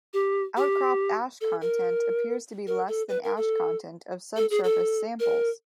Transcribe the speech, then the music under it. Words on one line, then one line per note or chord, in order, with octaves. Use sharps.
Outcrop ash content appears to be less than ash content of subsurface samples.
G4
G4
A4
A#4
A#4
A4
B4
A#4
A4
A4
G#4
A4
A#4